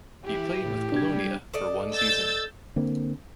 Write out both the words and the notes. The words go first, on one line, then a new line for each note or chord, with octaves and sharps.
He played with Polonia for one season.
E3 E4 G4
A2
G3 D4 G#6
A4 D5 D#5
E6 G6 A6
D3 A#3 C4